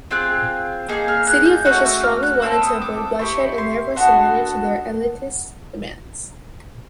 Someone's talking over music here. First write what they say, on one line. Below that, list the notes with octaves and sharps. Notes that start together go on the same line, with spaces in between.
City officials strongly wanted to avoid bloodshed and therefore surrendered to their elitist demands.
C4 F4 G#4 F#6
A#3 D#4 G#4
F6
F#6
G6
A3 C#4 F#4 F#6
E6
F6
F#6
C4 E4 A4 E6
D#6
D6
C4 E4 G4 C#6
C6
B3 D4 F#4 A4